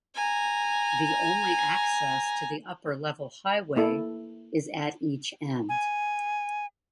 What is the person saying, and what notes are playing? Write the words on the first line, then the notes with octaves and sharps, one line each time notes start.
The only access to the upper-level highway is at each end.
G#5 A#5
A#3 E4 A4
G#5